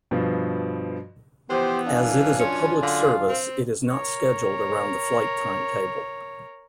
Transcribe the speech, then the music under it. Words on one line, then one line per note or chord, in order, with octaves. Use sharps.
As it is a public service it is not scheduled around the flight timetable.
G2 B2 F3
E3 F3 B3 G4 C5
F#2 D4 F5 G#5
C#4 F4
D3 F5
C4
A#4 C#5